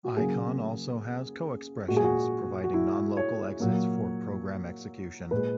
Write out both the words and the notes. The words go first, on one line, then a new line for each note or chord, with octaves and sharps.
Icon also has co-expressions, providing non-local exits for program execution.
F#4
C#3 F#3 A#3 G#4
A#2 G#3 F#4
G#4
F#4
F#4
E4
C#5
A#2 F#3 A#3
A#2 G#3 B4